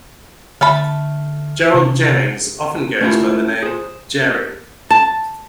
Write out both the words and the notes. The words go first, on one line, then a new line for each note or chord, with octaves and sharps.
Gerald Jennings often goes by the name Jerry.
D3 A3 A5 B5 F6
C3
A3 C#4 D4 E4 F4 A#4
G#4 C5
A5